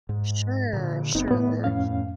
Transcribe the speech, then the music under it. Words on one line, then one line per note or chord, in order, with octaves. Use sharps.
Sure. Sure.
G#2
A#2 D3
F#1 B3 C4 D#4
A2 B3
F2 C#4 F5